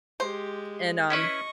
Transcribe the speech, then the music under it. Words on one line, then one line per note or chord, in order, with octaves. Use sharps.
and, um,
G#3 G4 C5
C#4 E4 B4 D#5 C#6